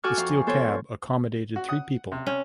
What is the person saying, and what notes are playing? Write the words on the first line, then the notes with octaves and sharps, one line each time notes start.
The steel cab accommodated three people.
F#4 A4 G#5 C#6 D6 F6
F2 F5
B3 A4 C5 C#5
F#4
F#5 D#6
C3
C#4